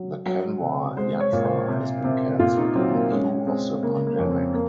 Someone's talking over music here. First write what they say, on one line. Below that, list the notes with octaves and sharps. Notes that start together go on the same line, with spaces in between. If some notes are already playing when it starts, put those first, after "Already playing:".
The Kanwar Yatra has been cancelled in view of the pandemic.
Already playing: F#3
F#3
C3
G#3 C5
C#5
A#2
C5
C3
C3
A#2 F4
D#4
F#3 C4
A#3
G#3 C#4
G#3 C4
C#3 A#3
A#3
F2 C#4
C4
A#3